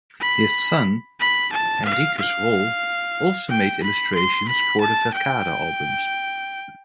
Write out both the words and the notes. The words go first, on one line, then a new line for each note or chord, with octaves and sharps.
His son Henricus Rol also made illustrations for the Verkade albums.
B5
B5
A5
F5
F5
G5
B5
C6
B5
A5
G5